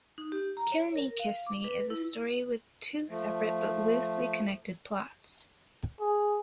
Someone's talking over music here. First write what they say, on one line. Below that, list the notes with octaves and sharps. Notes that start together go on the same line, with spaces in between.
"Kill Me, Kiss Me" is a story with two separate but loosely connected plots.
D#4
G4
A#5
C#5
A#4
F5
D6
B4
E4
F3 A3
G#4